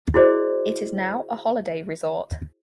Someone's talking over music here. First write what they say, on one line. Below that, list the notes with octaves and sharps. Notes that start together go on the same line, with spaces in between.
It is now a holiday resort.
E4 F#4 G#4 C5 D5 D#5